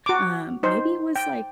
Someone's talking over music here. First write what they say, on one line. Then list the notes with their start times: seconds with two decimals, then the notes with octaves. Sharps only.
Um, maybe it was, like,
0.06 F#4 D6
0.63 D#4 C5
1.16 G5